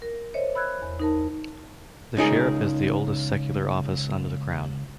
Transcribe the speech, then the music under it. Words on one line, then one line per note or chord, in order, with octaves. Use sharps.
The Sheriff is the oldest secular office under the Crown.
A#4
C5 C#5 D#5 E5
B5 E6 F#6 G#6
E2
D#4 A#4 A5
C#2 D#4 G#4 A#4